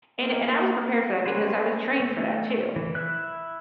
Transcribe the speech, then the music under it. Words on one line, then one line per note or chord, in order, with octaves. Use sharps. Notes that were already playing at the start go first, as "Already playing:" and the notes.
And and I was prepared for that because I was trained for that too.
A#3
C#4 G4 B4 C5
A3
E3
E4 E5 F#6